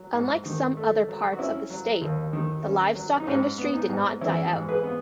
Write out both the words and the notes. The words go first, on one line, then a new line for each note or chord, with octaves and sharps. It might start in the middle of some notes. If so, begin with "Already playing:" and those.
Unlike some other parts of the state, the livestock industry did not die out.
Already playing: F#3
G#2
D#3
A3
F#3
F#4
C#4 E4
F#3
D#2
D#3
C#4
F#3
D#4
G#2 C#4
B3
D#4
G#2
E3 C#4 E4
G#2
G#4 B4
B3